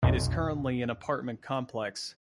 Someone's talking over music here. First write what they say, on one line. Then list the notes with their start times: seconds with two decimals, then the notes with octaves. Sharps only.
It is currently an apartment complex.
0.03 B1 F2 B2